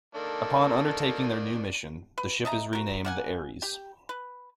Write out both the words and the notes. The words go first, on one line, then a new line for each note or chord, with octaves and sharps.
Upon undertaking their new mission, the ship is renamed the "Ares".
D#3 A#3 D4 A4
B4
D#5 E5 A5 A#5
F#4 A#4
A#3 F#5 G#5
G4 G5
B4